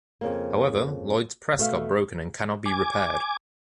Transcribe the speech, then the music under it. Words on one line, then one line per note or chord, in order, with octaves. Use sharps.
However, Lloyd’s press got broken and cannot be repaired.
F2 C#3 A#3
B2 A3 E5 F5
G#5 D6